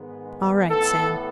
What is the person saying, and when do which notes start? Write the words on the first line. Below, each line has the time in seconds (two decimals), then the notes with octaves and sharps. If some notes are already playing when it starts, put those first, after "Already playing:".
"All right, Sam."
Already playing: G#2 D#3 G#3 B3
0.69 A2 E3 B3 A4